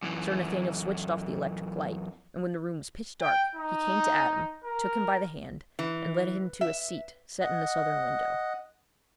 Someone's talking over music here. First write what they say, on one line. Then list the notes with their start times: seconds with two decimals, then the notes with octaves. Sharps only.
Sir Nathaniel switched off the electric light, and when the room was pitch dark, he came to Adam, took him by the hand, and led him to a seat set in the southern window.
0.03 F#2 E3
3.21 G5
3.56 D#4
4.64 A#4
5.79 E3
6.61 E5
7.41 D#5 F#5